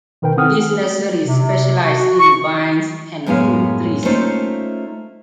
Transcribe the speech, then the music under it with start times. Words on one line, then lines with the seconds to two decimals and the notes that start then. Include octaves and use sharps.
This nursery specialised in vines and fruit trees.
0.22 B2 D#3 A#4 B4 G5
0.37 D#3 C4 A4 F#5 D#6 F6
0.60 G#4
1.24 C3
1.83 F#4
2.19 C#6
3.26 F#2 A2 G#3 B3 F5
4.05 A3 A#3 C#4 D#4 F4 C5